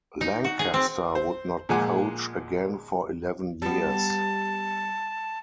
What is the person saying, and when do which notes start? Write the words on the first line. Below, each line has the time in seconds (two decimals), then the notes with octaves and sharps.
Lancaster would not coach again for eleven years.
0.21 D#4
0.44 F#4
0.59 G#4
0.74 C4
1.15 C5
1.69 A#2 F3 G#3 F#5 G#5 D6
3.62 G3 B3 A5